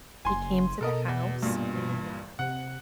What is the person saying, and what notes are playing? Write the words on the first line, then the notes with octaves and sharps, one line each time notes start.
he came to the house, and, um
F#1 G#5 C6
B2 A4 A#4 D#5
E2
G2 A#2
C3 F#5